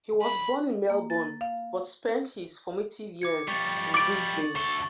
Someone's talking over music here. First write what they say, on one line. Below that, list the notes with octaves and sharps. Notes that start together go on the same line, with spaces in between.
He was born in Melbourne, but spent his formative years in Brisbane.
B5
A#3
A6
F5
D6 G#6 C#7
F2 G3 C#6 A6
D6 A6 D7 F#7
D2 A4 C#6